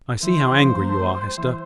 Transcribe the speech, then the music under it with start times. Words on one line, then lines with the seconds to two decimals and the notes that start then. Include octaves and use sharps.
I see how angry you are, Hester.
0.23 E3 C5
0.61 F3
0.80 A#3
0.89 A3
1.00 G3
1.38 E3